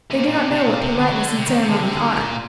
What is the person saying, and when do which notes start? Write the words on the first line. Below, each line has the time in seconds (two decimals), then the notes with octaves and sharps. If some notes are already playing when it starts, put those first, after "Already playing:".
They do not know what politeness and ceremony are.
0.11 C3
0.15 A#2
0.27 A#2
0.37 C3
0.51 C3
0.67 A#2
0.82 C3
0.96 D3
1.10 F#3
1.25 D3
1.37 C3
1.46 D#3
1.58 C3
1.69 D3
1.82 C3
1.92 D3
2.14 A#2